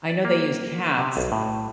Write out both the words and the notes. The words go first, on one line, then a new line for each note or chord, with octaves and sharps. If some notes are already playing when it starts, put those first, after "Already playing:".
I know they use cats,
D5
A#3
C3
B1
A2